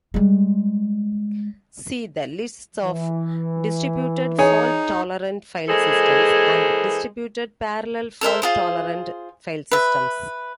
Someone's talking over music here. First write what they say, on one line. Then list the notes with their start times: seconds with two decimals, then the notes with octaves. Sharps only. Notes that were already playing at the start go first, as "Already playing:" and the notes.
See the lists of distributed fault-tolerant file systems and distributed parallel fault-tolerant file systems.
0.14 G3 G#3
2.84 E3
4.39 D#4 G#4 C#5 G#5
5.69 E3 G#3 A#3 G#4 A4 C5
8.21 A4 A#4 C5 E5
8.42 F4 G#4 C5
9.71 B4 E5